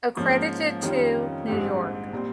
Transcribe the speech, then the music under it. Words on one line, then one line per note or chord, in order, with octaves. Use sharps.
Accredited to: New York.
G#2 F3 A#3 C#4
F2 D#3 G3 C#4 F4
A#1 G#2 G3 C4 G4
A#2 G3 C4